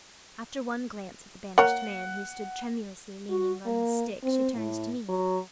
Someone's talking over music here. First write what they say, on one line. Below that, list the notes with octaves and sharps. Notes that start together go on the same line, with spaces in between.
After one glance at the 'banished man,' who stood tremulously leaning on his stick, she turned to me.
A#3 C#5 F#5
F#4
A#3
C4
A2
F#3